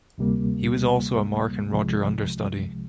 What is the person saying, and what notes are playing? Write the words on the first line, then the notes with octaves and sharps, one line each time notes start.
He was also a Mark and Roger understudy.
D2 C3 G3 A#3
C2 C3 F3 G#3